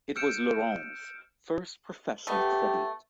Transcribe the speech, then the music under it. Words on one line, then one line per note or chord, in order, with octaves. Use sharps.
It was Laurents' first professional credit.
E6 F6 G6 C#7 D7 E7
A3 B3 G4